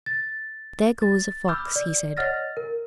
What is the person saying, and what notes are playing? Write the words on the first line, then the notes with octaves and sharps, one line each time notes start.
"There goes a fox," he said.
A6
A6
B5 D6 E6 F6 G6
D5
C#5 D#5 F#5 F6 A6 A#6
A#4